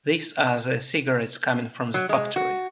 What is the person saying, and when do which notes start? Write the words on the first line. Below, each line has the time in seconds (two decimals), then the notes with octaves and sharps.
These are the cigarettes coming from the factory.
1.94 F#3
2.09 G#3
2.36 F#4